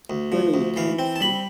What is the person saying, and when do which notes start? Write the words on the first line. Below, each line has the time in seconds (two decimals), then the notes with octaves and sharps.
Where do you come from?
0.10 D2
0.32 F3
0.54 D2
0.76 E3 F5
0.99 C4
1.16 A5
1.21 G3 B5